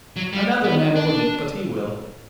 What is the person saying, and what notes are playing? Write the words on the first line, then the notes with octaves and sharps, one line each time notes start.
Another man wouldn't, but he will.
F#3
G3
B3
D4